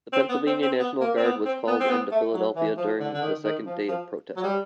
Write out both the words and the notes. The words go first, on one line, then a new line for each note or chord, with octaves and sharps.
The Pennsylvania National Guard was called into Philadelphia during the second day of protests.
C4
B3
C4
C4
B3
A#3
C4
B3
C4
B3
C4
B3
A3
F#3
E3
F3
D3
D3
D#3
D#3
F3
F3
F#3
G3